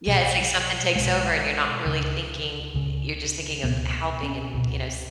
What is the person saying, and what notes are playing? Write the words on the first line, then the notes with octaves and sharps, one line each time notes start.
Yeah, it's like something takes over and you're not really thinking eh, you're just thinking of helping and, you know, s
B1 B2 F#3
B1 B2 G#3
C#2 C#3
C#2 C#3
C#2 B2 B3
C#4
C#2 B2